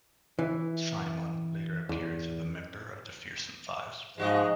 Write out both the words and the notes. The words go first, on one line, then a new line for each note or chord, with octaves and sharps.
Psimon later appears as a member of the Fearsome Five.
E3
E2
G#2 F3 G#3 F#4 D#5